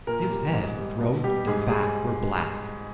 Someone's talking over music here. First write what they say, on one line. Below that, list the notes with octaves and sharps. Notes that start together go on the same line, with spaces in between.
His head, throat and back were black.
A#2 A#4
G3
G#2
G3
B2
G3 G4
G#2 G#4
G3 G#4